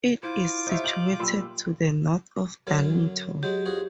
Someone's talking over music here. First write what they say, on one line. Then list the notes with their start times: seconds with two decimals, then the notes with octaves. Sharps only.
It is situated to the north of Darlington.
0.23 E4 F4 C5 D6
0.67 D#4 G4 C5 C#5 E5
0.84 D#4 G6 F7 F#7
1.19 A#2 F#3 G3 B5 C6 E6
2.67 F#2 D3 F#3
3.43 F#3 G#3 G4
3.66 F2 F#4 G#4